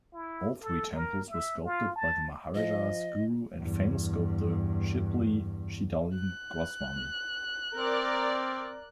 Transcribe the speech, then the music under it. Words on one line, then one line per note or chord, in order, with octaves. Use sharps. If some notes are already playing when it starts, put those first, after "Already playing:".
All three temples were sculpted by the maharaja's guru and famous sculptor, Shilpi Siddalingaswamy.
E4
A4
A#4
E5
F4
A5
F3 D#5
E2 G2
F#6
C4 A#4 D5